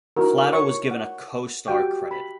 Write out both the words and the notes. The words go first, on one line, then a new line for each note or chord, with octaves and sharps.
Flatow was given a co-star credit.
D#4 E4 F#4 A#4
C#5 C#6
F#5
F#4 G4 G5
B5